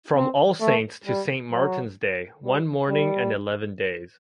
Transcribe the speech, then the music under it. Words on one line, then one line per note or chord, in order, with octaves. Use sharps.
From All Saints to St. Martin’s Day, one morning and eleven days.
C4
A3
G3
F#3
G3
G3